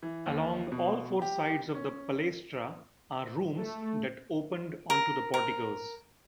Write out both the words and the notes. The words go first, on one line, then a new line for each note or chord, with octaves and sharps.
Along all four sides of the palaestra are rooms that opened onto the porticoes.
E3
D#2
B2
G4
C#4
A3
A#4
A#4